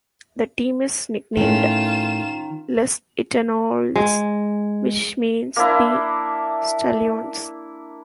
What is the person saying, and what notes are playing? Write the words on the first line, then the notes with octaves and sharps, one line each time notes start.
The team is nicknamed "Les Etalons", which means "The Stallions".
A2 D#3 C#4 F4 E7
G#3
A#3 D4 E4